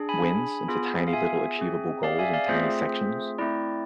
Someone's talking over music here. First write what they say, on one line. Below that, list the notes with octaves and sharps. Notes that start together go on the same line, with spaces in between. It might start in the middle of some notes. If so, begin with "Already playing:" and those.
wins, into tiny, little, achievable goals in tiny sections,
Already playing: D4 G#4
G#5 B5
B3 F4 G#4
F5
E5 G#5
C4 G#4
D5 F5
E5 G#5
D5 F5
A3 C4 F4 G#4 C5 E5
A3 C4 E4 D5